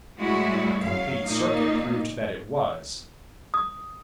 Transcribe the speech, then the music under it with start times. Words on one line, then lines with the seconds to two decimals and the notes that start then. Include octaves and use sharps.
A complete circuit proved that it was.
0.16 A2 G3 G#3 E4 F#4
0.83 F#2 F#3 F5
1.26 A#2 A#3 D#4
3.54 D#6